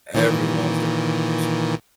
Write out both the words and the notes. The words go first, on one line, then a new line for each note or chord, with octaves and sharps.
Everyone's their own person.
A#2 D#3 E3